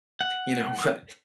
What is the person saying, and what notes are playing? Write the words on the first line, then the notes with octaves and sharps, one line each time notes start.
you know what,
F#5